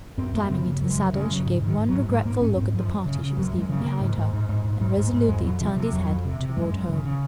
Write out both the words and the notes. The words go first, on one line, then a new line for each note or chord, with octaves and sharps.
Climbing into the saddle, she gave one regretful look at the party she was leaving behind her, and resolutely turned his head toward home.
F#2 C4
F#2 A#3
C#3 C4
C#3 A#3
F#2 F#3
G#3
F#2 F#3
C#3
G#3
C#3 F#3
G#2 F3
G#2
D#3
G#2
F#3
G#2
G#2 G#3
G#2 A#3
G#2 C#4
G#2 C4
F#2 F3
F#2
C#3
C#3
F#2 F#3
F#2
G#3
C#3
C#3 A#3
G#2
G#2
G#2
G#2
G#2
G#2
G#2
G#2
F2 G#3
F2 F#3
C3 F3
C3 F3
F2 F#3
F2
C3
C3
F#2 G#3
F#2
C#3
C#3